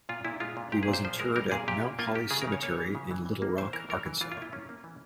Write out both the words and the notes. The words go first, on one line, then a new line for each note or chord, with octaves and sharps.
He was interred at Mount Holly Cemetery in Little Rock, Arkansas.
A#2 F4
A#2 E4
G#3 F4
A#2
A#2 G4
G#4
A#2
C5
F3 C5
G#3 A#4
G3 A#4
A#2 G#4
A#2 G4
A#3
A#3 F4
A#3 G4
C#3 G#4
A#4
C#3 C#5
A#3 C#5
E3
C#3
E3
E3
A#3
E3 C5
E3 A#4
E3 A#4
E3
E3 F4
F4
A#3 E4
A#3 C#4
A#3
E3